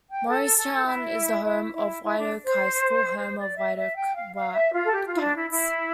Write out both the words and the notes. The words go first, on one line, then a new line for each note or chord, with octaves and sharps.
Mowrystown is the home of Whiteoak High School, home of the Whiteoak Wildcats.
G5
A4
A4
E4
E4
E4
E4
D4
C5
C5
D5
E5
E5
G5
F5
F5
E5
F4
A4
G4
F4
E4
D4
E4
E4